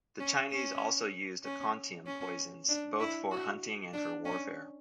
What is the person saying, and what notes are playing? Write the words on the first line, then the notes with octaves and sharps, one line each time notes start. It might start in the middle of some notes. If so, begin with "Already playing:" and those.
The Chinese also used "Aconitum" poisons both for hunting and for warfare.
C#4
C#4
C#4
C#4
D4
E4
F#4
D4
C#4